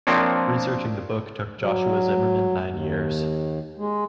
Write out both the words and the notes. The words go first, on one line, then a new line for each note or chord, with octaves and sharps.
Researching the book took Joshua Zimmerman nine years.
F3 A#3 C4 D4 C#5
F#3
D#2
G#3